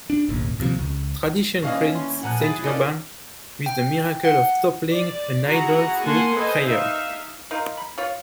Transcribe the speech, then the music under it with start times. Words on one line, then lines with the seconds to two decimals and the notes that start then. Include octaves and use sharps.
Tradition credits Saint Urban with the miracle of toppling an idol through prayer.
0.10 D4
0.29 E1 A1 D#2
0.60 D#2 C3 F3
0.79 C#2
1.63 D#2 E3 C#4 D4 D#5 F5 C#6
1.95 C6
2.23 A#2 F3 F#5 G#5 A#5 F#6
2.40 F#2 E4 G#4 A6
2.64 A#3 C#4 D#4 F4 A4 D5
3.66 G5
4.25 F#5
4.88 D5
5.47 E4 F#4 G#4 F#5 A#5
6.03 A#3 F#5 G#5 A5 C6
6.34 A4 B4 C5 D#5 G#5
6.66 D#4 E5 F5
7.51 D#4 F4 A#4
7.77 B5
7.98 F4 C#5